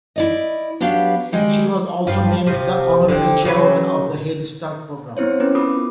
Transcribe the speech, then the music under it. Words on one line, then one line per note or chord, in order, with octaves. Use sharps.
She was also named the honorary chairwoman of the Head Start program.
E4 D5 D#5
F#3 B3 D4 G4 F5
D#3 G3 G#3
G2 F3 F4
C3 F3
D3 C4
C#3 F#3 B4
B3 C4 E4 C5 C#5
B3 C#4 E4 B4
E4 F4 A#4 B5 D6 D#6